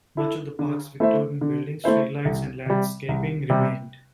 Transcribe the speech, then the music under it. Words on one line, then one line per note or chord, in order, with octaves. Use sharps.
Much of the park's Victorian buildings, street lights and landscaping remained.
E4 A4
D3
A3 E4 C5 E5
D3
A3 E4 C5 E5
C2
C3 G3
C2
C3 G3